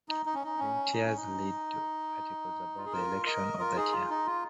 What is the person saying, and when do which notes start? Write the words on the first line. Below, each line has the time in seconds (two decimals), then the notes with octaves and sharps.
Linked years lead to articles about the election of that year.
0.09 D#4
0.26 D#4
0.34 C#4
0.44 D#4
0.59 C#4
0.93 D#4
1.05 C#4
1.17 D#4
2.78 F4
2.86 G#4
2.92 F4 A#4
3.26 A#4 D#5
3.59 F4 A#4
3.76 D#4 G#4
3.92 F4
4.09 D#4
4.26 F4